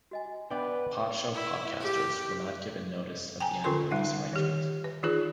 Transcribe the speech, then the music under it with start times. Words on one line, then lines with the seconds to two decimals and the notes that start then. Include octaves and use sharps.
Podshow podcasters were not given notice of the end of this arrangement.
0.11 F#4 D#5 G#5
0.51 B3 D4 B4 D5 E5 G5 B5
1.34 E4
1.80 G4
3.40 G5 G#5 A#5
3.64 D3 C#4 F4 A4 A#4 C6
3.91 G3 D#4 F#5
4.33 D#3 G4
4.84 B4
5.03 E3 D#4 F4 G#4 B4